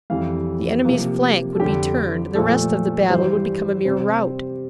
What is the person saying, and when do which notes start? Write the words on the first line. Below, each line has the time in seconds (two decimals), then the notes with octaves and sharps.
The enemy's flank would be turned, and the rest of the battle would become a mere rout.
0.10 F2 E3 G3 F5
0.85 C3 F3 A#3
1.55 A4
1.60 F2 D3 G3 G4
2.35 A#2 F3 A3 A4
3.10 G2 E3 G3 C5
3.85 C3 G3 C4 C5